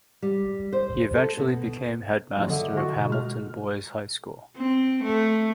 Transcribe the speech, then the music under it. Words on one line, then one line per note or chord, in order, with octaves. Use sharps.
He eventually became headmaster of Hamilton Boys' High School.
G3
C5
A4
B2
A#1 F#2
D3 D#5 E5
F4 F#4 A4
B2
G#3 F6
C4
A3